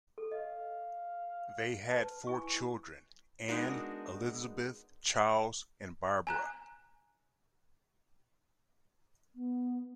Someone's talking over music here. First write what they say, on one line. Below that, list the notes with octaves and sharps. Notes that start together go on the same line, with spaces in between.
They had four children: Anne, Elizabeth, Charles, and Barbara.
A4
D#5 F5
B4 A5
E4 G#5 C#6
G#3 B3 D4 D#4 F#4 A#4
G#5 A#5 F#6
B3